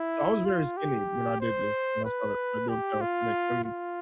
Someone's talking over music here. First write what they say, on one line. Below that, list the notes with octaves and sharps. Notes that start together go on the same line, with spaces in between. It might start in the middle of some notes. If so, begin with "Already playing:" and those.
So, I was very skinny when I did this, when I started, like, doing calisthenics I mean,
Already playing: E4
F4
G4
C5
B4
G4
F4
F4